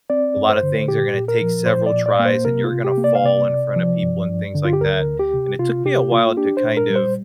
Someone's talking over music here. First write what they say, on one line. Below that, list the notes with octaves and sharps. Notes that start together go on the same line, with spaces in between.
A lotta things are gonna take several tries, and you're gonna fall in front of people and things like that, and it took me a while to kind of
C4 D5
G2
C5
D3
A#2 G4
A#2
A#4
F3
A#2 C5
D5
A#2
D5
A#3
C5
C3 A#4
F4
C3
G4
A#3
D5
F5
C3 D5
C3
F3
G2
G2
D3
F4
G4
D2 A#4
D2
G4
C3
C3 F4
C3 G4
A#3 F4
D4 G4
C5
A#2
A#4
G3
C5